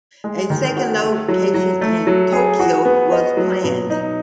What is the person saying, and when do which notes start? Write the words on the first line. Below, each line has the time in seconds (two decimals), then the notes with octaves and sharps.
A second location in Tokyo was planned.
0.24 G#3
0.50 D#3
0.76 F#4
1.02 A3
1.28 F#3
1.54 F#3
1.81 A3
2.07 F#3
2.32 G#4
2.59 F#4
2.85 B3
3.12 D#5
3.37 F#3
3.64 B2
3.90 D#4